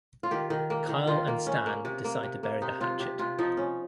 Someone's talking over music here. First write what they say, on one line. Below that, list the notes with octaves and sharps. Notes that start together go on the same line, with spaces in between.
Kyle and Stan decide to bury the hatchet.
F4
D#3 G4
D#3
A#3
D#3
D#3 F4
A#3
C#4
A#3
C3
A#3
C3
A#3
C3 D#4
C3 F4
C3 G4
C3 F4
F3 D#4
C#4